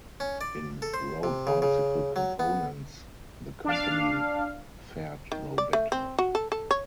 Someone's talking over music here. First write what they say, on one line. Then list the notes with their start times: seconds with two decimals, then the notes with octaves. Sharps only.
In road bicycle components, the company fared no better.
0.20 C#4
0.41 D5
0.82 A4
0.94 C5
1.23 C3
1.47 C#3
1.62 C#3
2.16 F#3
2.40 B3
3.65 D4 F5
5.32 D#3
5.58 D5
5.73 A3
5.92 C4
6.19 F#4
6.35 A4
6.52 A4
6.71 C#5